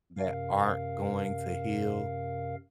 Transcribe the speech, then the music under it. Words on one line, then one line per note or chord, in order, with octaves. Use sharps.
that aren't going to heal
F#2 C3 A#4 F5